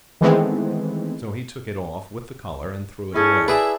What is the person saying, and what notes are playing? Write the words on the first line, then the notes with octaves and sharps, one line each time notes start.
So he took it off with the collar and threw it away.
D#3 E3 G#3 A3 B3 C4
C#4 E4 G#4 A4
E4 G#4 B4 D5 E5